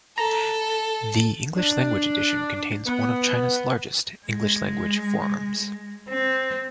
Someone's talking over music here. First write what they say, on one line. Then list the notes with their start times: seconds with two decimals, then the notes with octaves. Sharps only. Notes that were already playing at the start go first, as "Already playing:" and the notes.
The English language edition contains one of China's largest English language forums.
0.18 A4 A#5
1.56 D4
2.87 B3
4.27 G#3
6.09 C4